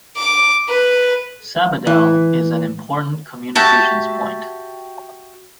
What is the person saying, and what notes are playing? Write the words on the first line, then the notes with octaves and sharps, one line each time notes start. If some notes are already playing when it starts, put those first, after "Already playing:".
Sabadell is an important communications point.
D6
B4
E3
F#4 G4 E5 A5